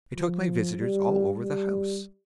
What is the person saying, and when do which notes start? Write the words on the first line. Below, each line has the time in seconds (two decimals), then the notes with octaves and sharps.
I took my visitors all over the house.
0.17 F3
0.79 G3
1.41 G3